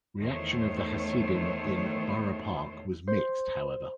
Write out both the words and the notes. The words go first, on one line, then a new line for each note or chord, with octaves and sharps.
Reaction of the Hasidim in Borough Park was mixed, however.
E2 D#3 A3 C5 C#5
C5